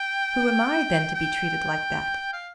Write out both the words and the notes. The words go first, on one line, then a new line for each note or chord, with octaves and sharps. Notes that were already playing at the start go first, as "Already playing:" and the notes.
Who am I, then, to be treated like that?
Already playing: G5
G5
F5